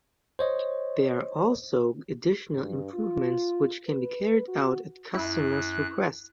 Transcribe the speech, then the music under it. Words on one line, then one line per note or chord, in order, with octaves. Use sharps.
There are also additional improvements which can be carried out at customer's request.
C5 C#5 D#5
G2
F4
B4
F#4
F#2 E4 F#6